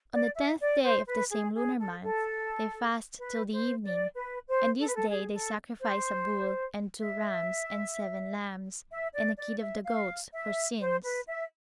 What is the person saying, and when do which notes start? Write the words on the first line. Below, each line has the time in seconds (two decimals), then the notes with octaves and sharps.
On the tenth day of the same lunar month, they fast till the evening; and this day they sacrifice a bull, and two rams, and seven lambs, and a kid of the goats, for sins.
0.12 D5
0.35 E5
0.60 D5
0.83 C5
1.07 B4
1.31 G#4
1.54 G#4
1.79 A4
2.02 A4
3.20 B4
3.52 C5
3.84 D5
4.16 B4
4.46 C5
4.79 A4
4.87 B4
4.96 A4
5.11 G#4
5.33 A4
5.81 C5
6.99 E5
8.90 E5
9.14 D5
9.37 D5
9.62 E5
9.84 F5
10.33 E5
10.80 C5
11.03 B4
11.28 E5